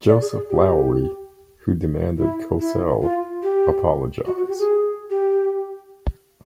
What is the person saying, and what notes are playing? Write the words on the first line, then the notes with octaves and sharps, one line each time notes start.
Joseph Lowery, who demanded Cosell apologize.
D5
G#4
G#4
G4
E4
E4
F4
G4
F#4
F#4
G4
G#4
G4